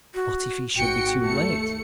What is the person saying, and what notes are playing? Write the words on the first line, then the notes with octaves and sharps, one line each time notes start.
What if he should be too late?
F#4
G#1 F#4 G5 C#7
D#2 A3 C#7